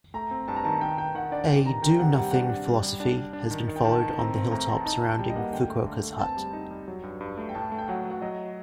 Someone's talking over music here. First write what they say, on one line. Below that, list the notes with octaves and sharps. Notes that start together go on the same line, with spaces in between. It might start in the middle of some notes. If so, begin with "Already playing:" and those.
A do nothing philosophy has been followed on the hilltop surrounding Fukuoka's hut.
A3 A#5
C4
G2 A5
A#5
D#3 A5
D#3 G5
D#3 G5
D#3 F#5
D4 D5
C3 G5
D#3 A#5
D#3 G5
G5
C3 F#5
G3 F#5
G5
D4 F#5
D4
G3
G3
D4
D4
D4
D#3
D#3
G5
D#3 A5
D#3
C4 A#5
C4
A2 A#5
C4 A5
D#4 A5
D#4 A5
G3 G5
D#5
A#3 F#5
D3 G5
A3
D3
A3
C4 A5
G3
D#4
G3
F#3
G2
G2
A3
G5
A2 A5
A3
G5
F#3 F#5
F#3 F#5
F#3 D#5